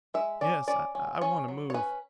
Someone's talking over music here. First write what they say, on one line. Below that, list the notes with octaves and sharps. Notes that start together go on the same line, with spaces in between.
"Yes, I want to move."
G#3 E5
C#4 D5
C#4 D5
C#4
C#4 C#5
F#3
C#5
C#4 B4